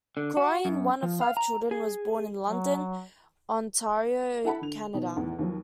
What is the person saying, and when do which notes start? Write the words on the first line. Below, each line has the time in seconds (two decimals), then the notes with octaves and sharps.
Cronyn, one of five children, was born in London, Ontario, Canada.
0.17 D3
0.37 F#4
0.65 F#2
1.03 F3
1.21 F5
1.37 A#5
1.71 G#4
2.45 F#3
4.45 E4 A4 F#5 A5 B5
4.61 D3 F7
4.94 B2 D#3 D#4
5.16 E2 A2 D#3
5.39 D#2 F3 F#3